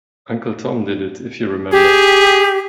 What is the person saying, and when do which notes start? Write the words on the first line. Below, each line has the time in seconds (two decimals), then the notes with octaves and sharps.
Uncle Tom did it, if you remember.
1.72 G4 G#4